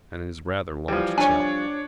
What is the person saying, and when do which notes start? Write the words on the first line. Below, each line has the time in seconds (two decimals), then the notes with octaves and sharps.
And it is rather long to tell.
0.88 E3 F3 G3
1.18 D4 C#5 G#5